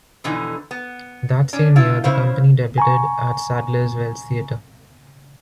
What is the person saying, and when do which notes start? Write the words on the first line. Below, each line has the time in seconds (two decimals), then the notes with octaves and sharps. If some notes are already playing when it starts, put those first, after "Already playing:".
That same year, the company debuted at Sadler's Wells Theatre.
0.24 F2 B2 D3 E3 D#4
0.71 B3
1.53 C#4 D4
1.76 E4 F4
2.04 C#3 E4 C5 F5
2.78 G#5 A#5 C#6